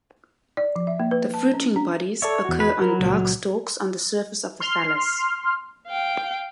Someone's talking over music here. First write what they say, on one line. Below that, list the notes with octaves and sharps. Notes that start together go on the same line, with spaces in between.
The fruiting bodies occur on dark stalks on the surface of the thallus.
D5
F3
E5
A#3
B4
A5
C#4
D4
A4 C#5 D5 E5
E2 F#4
B4
F#3 A#4 B5
C#2 A#2
C6 F6
F5 G5